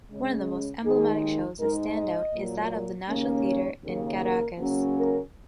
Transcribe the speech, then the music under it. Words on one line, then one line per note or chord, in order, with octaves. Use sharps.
One of the most emblematic shows that stands out is that of the National Theater in Caracas.
C#3 G#3 C#4
D#2 D#3 G#3 D#4 G#4
G#2 G#3 D#4 A#4
D#5
A#2 F#3 A#3
D#2 C#3 A#3 C#4
C#5
D#2 C#3 A#3
A#4
C#3 F#3 A#3 C#4
A#4